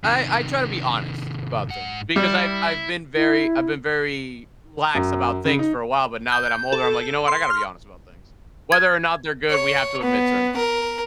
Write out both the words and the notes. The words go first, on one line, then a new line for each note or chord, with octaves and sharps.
I I try to be honest about things because I've I've been very I've been very lax about things for a while, but now that I'm older, I'm like, "You know what, I gotta be honest about things." Whether or not they're good, we have to admit certain things.
C3 D#3
G#2 F#5
G3 E4
E4
F#2
C#3
D#4
G6
A4
C6
F6
G#6
C#5
B3
A#4